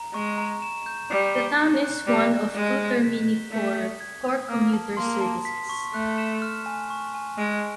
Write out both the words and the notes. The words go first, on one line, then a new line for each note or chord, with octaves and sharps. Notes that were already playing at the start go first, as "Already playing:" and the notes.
The town is one of two termini for Cork Commuter Services.
Already playing: A#5
G#3 C#6
A#5
E7
G6
G3 C7
G7
C#7
F#6
G3 A#6
E7
G#3 E7
G6
B6
G7
A3 B6
D#6
G#6
D#6
A#3 F6
A5
A#3 C6
A5
B6
C#6
A3 F#6
E7
F6
G#5
C#6
G#5
G#3 D7